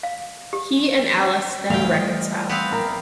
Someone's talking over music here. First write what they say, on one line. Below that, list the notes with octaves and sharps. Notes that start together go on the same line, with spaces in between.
He and Alice then reconcile.
F5
G4
D2 E3 G3 A3 F5 G5
F4 D5 D#5
B3 C4 F5
A#1 A#4